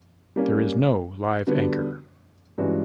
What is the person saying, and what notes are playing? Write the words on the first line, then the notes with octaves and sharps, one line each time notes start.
There is no live anchor.
G3 A#3 C#4
D3 G3 B3 D4 F#4
G2 E3 G#3 C#4 F#4